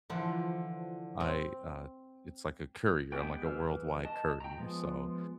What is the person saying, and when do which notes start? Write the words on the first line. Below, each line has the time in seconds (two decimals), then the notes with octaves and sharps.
I, uh it's like a courier. I'm like a worldwide courier. So
0.10 D3 E3 F3
1.20 C4
3.12 G#3 B3 G4 B4 G5
3.45 E3 G#4 B4 E6 F6
4.05 D#5 A5
4.40 G5 A#5
4.57 F3 G#3 B3